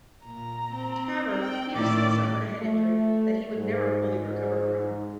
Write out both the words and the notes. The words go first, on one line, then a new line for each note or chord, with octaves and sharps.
However, Pettersson suffered a head injury that he would never fully recover from.
A#2 A#5
C4
G5
A2 D#3 C#4 D5
A3
G#2